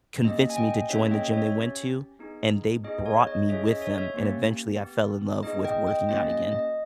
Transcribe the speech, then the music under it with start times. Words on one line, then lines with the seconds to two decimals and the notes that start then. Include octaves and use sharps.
convinced me to join the gym they went to, and they brought me with them, and eventually, I fell in love with working out again.
0.24 A#3 C#4 G4 D#5
0.50 G#5
0.57 D#5 G5
0.89 A#3 C#4 E4 G#4 C#5 E5
1.11 D#5 G5
1.33 C#5 E5
1.55 C#4 G4
2.19 B3 D#4 G#4
2.84 B3 D#4 G#4 D#5
3.06 C#5
3.27 D#5
3.49 C#4 E4 G#4 C#5 E5
3.65 D#5
3.81 C#5 E5
3.98 C#5 E5
4.14 A#3 C#4 E4 G4
4.78 B3 G4
5.43 B3 D#4 G#4 D#5
5.64 D#5 G5
5.87 D#5 G5
6.09 A#3 C#4 E4 G4 D#5
6.29 D#5
6.52 D#5